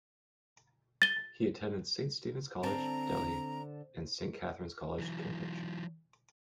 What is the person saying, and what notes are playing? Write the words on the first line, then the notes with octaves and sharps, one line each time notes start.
He attended Saint Stephen's College, Delhi, and Saint Catharine's College, Cambridge.
A6 G7
D3 C4 A5 A#5
E3 F#3